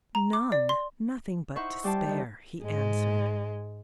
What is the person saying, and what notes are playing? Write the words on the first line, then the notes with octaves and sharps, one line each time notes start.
"None--nothing but despair!" he answered.
A#5
D6
D5
C6
D#4 E4 C5 E5 F#5 C#6
G3 G4 C5 A5
D#3 G3
G#2 G#3